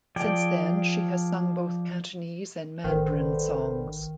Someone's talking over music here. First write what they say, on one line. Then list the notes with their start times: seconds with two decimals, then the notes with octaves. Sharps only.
Since then, she has sung both Cantonese and Mandarin songs.
0.16 F3 G#4 D5 G5
2.85 A1 D3 D#3 B4 C5